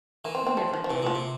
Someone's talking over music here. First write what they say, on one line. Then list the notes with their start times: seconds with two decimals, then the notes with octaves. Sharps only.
He never did.
0.25 E3 A#3
0.35 C4
0.47 C4
0.57 F3
0.73 F3
0.84 F3
0.90 C3 E3
1.02 A#2 F3
1.15 C3